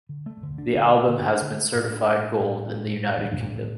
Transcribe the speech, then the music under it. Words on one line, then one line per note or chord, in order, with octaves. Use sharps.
The album has been certified gold in the United Kingdom.
D3
A3
D3
D4
D3
A3
D3
D4
D3
A3
A2
D4
A2
A3
A2
D4
A2
A3
A2
D4
A2
A3